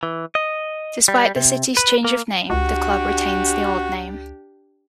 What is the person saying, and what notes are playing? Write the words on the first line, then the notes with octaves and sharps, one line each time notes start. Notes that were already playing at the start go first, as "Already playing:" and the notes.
Despite the city's change of name, the club retains the old name.
E3
D#5
G3
C3
B4
A#3
C#2 D4 F#4 G4